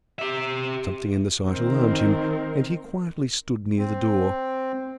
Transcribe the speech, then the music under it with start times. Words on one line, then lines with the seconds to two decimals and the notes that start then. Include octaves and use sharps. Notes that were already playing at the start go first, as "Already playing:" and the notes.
Something in the sight alarmed him, and he quietly stood near the door.
0.19 G4 E5
1.48 D#3 C4 A#4
3.78 C4